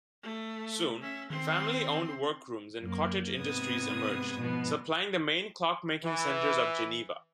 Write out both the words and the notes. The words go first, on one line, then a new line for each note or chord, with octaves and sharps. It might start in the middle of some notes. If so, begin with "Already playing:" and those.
Soon, family-owned workrooms and cottage industries emerged, supplying the main clock-making centres of Geneva.
A3
C#4 E5
D#3 C4 C6
F#2 A#3
G#2 C3 G#3 B3 D#6 G#6
G#2 B2 F3 B3
E3